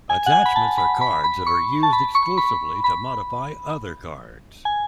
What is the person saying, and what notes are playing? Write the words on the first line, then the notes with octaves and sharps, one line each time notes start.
Attachments are cards that are used exclusively to modify other cards.
G#5
F#5
G#5
B5
A5
B5
B5
B5
C#6
A5
B5
C#6
B5
B5
G#5